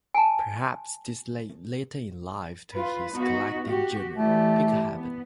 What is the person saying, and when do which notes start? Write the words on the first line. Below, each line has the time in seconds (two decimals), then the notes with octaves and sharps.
Perhaps this led, later in life, to his collecting German "Pickelhauben".
0.14 G#5 A5
2.74 F4 B4
3.12 B3 D#4 F#4
3.68 F#4 G4
4.16 E3 A3 G4 D5
4.93 B3